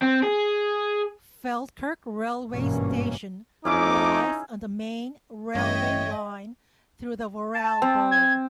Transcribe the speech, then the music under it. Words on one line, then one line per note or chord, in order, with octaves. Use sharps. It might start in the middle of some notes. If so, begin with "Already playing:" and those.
Feldkirch railway station lies on the main railway line through the Vorarlberg.
C4
G#4
G#1 G2 B2 E3 A#3 C#4
F2 C#4 D#4 E4 G#4 D6
A1 G2 C#5 D#5 E5 G5
A5
C4
G#6